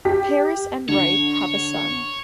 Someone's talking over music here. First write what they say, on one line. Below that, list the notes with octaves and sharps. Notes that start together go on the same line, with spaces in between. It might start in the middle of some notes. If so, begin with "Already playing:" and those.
Paris and Wright have a son.
G4 B6
D3 C#5